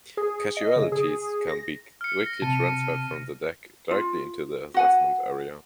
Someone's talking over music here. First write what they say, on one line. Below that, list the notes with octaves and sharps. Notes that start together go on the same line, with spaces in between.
Casualties can be quickly transferred from the deck directly into the assessment area.
G#4
D#5
C#3
G#4
A#6
F6 C#7
A#6
C3 A5 D#7
F4
F#4 F#5 G#5